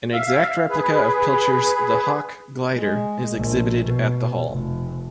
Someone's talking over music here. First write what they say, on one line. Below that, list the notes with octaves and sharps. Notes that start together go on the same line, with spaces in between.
An exact replica of Pilcher's "The Hawk" glider is exhibited at the hall.
E5 F5
G#4 B4
G#3
A#1
B2
F1